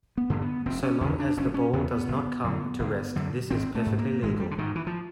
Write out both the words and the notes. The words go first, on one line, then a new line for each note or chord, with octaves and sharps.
So long as the ball does not come to rest this is perfectly legal.
B3
G2 D3
B3
F1 C4
C#4
E2 C#3 C#4
D4
F1 C#4
C#4
E2 C#3 B3
B3
G1
F#2 D3
G1
F#2 D3
G#1 C4
A3
G#2
A#3
G#1 G#3
G3
D3
G#2 D#3
E3
F3